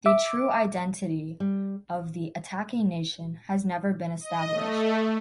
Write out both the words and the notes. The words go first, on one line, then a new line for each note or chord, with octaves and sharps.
The true identity of the attacking nation has never been established.
E5 D6
G3
D#5
A3